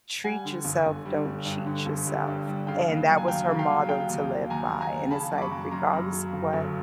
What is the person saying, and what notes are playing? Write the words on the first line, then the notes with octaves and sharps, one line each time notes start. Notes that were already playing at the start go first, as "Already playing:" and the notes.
"Treat yourself, don't cheat yourself." And that was her motto to live by and it's like, regardless of what,
G3 F#5 G#5
D3
G1
G1
G3
G1
G2
D3
G1
G3
G2
G3
C#3 F5 G5
D#2
F#3
G#5
D#2 F5 G5
C#3
F5 G5
F#3
C#3 F5 G5
D#2
D#2
D#2 G#5 A#5
D#2
G#5 A#5
D#2
C#3 A5 B5
F#2
D6
B5 C#6
F#2
F#2 A#5 C6
F#2
C#3
G1
G1